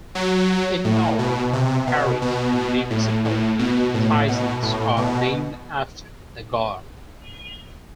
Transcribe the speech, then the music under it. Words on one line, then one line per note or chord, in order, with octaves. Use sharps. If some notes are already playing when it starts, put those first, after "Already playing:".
In Norway the parish and municipality of Tysnes are named after the god.
F#3
A2
B2
C3
B2
B2
A2
A2
B2
A2
B2
A2
B2